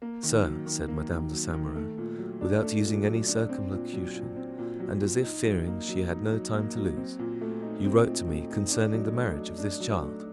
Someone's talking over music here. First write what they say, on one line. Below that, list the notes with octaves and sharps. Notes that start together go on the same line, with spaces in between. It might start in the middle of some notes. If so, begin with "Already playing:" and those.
"Sir," said Madame de Saint-Meran, without using any circumlocution, and as if fearing she had no time to lose, "you wrote to me concerning the marriage of this child?"
A#3
D#3
F#3
D#3
A#3
D#3
F#3
D#3
A3
A#2
F#3
D4
A3
A#2
F#3
D4
C4
A#2
F#3
A#2
C4
A#2
F#3
A#2
D#4
F#3
A#3
F#3
D#4
F#3
A#3
F#3
C4
A#2
A3
D#4
C4
A#2
A3
D#4
D4
F#3
A3
F#3
D4
F#3
A3